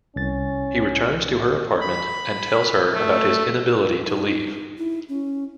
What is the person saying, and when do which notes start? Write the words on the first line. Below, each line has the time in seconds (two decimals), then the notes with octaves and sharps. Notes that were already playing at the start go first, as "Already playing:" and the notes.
He returns to her apartment and tells her about his inability to leave.
0.16 C2 C#4 A6
1.81 B5
2.93 A3
3.68 F4
4.07 D#4
4.78 E4
5.09 C#4